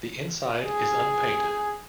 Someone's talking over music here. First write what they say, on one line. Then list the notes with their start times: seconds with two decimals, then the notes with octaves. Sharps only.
The inside is unpainted.
0.66 G#4